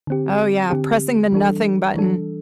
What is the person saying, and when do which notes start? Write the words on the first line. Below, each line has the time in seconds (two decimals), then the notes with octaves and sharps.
Oh, yeah, pressing the nothing button.
0.07 D3 C4 G4
0.70 D3 C4 G4
1.32 E3 G3 D4 A4
1.95 E3 G3 D4 A4